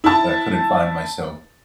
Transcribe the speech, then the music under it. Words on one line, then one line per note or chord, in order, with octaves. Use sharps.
uh, couldn't find myself
E4 A5